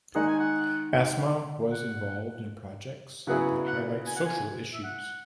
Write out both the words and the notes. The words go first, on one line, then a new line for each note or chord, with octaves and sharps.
Asma was involved in projects that highlight social issues.
D#3 G#3 D#4 G#4 F#5
G#5
F#5
F#5
C#3 F#3 B3 E4 G#4 F#5
F#5
G#5
F#5
G#5
E5
F#5